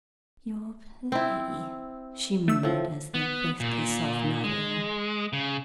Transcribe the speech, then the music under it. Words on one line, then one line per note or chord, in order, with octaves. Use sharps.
"Your play!" she murmured, as they faced the soft night air.
C4 E4
A3 E6
A2 F3
B3
A#2
G#3
C#3